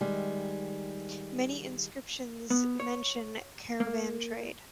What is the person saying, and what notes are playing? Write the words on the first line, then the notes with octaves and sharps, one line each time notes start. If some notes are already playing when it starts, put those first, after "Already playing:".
Many inscriptions mention caravan trade.
D#3 G3 G#3
B3
C#5
A#3